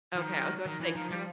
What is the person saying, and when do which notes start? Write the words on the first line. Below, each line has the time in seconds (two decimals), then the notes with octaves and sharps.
Okay, I was about to say, 'cause they're
0.16 E3
0.20 D#3 F#3
0.66 D#3 F3
0.80 E3
0.95 D#3
1.11 G3